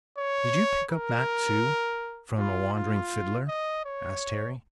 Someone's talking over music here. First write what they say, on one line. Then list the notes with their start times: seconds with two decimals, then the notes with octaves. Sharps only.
"Did you pick up that, too, from a wandering fiddler?" asked Harry.
0.18 C#5
0.92 A#4
2.38 F4
2.74 F4
3.48 D#5
3.85 C#5